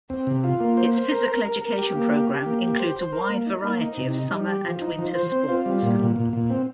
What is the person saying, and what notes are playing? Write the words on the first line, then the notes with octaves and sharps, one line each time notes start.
Its physical education program includes a wide variety of summer and winter sports.
C4
C3
F4
A#3
C5
C5
A#4
A#4
A#4
A#4
G4
A#3
G4
G4
A#3
G4
C5
C5
A#4
A#3
D#4
A#3
D#4
C3
D#4
G3
G4
F3
D#4
F3
C5
C4
F4
G3
A#2
A#2
A#2
A#2
C4